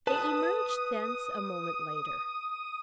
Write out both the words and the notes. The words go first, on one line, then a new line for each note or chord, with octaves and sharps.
They emerged thence a moment later.
B4 A5 D#6